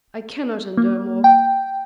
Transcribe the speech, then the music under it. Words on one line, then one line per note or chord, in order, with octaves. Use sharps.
I cannot endure more!
A#3
G5